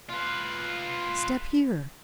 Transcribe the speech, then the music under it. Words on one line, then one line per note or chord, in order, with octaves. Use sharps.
Step here!
F4 B4